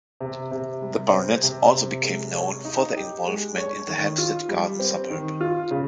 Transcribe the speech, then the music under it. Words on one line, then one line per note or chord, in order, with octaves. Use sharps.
The Barnetts also became known for their involvement in the Hampstead Garden Suburb.
C3
C3
G3
C4
C3
C3
G#3
C#5
D#4
G4
G#3
C#5
D#3
F4
G3
C4
D#3
F4
C#3